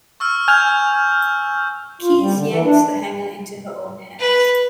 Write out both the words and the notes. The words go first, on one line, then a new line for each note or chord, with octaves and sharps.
Keys yanks the hanger into her own hands.
C#6 E6 F6
G#5 F6 G6
F4
G3
D3
E3
D4
B4